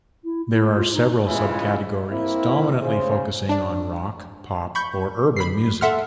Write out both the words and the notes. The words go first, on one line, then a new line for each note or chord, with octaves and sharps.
There are several subcategories, dominantly focusing on rock, pop, or urban music.
E4
E4
F4
D#4
G2 C#3 E3 G#3 E4 F4
A#3 C4 E4
C#3 C5
D4 D5
B5 C#6 G6
B5 B6 C7
A4 E5 F#5 C6 F6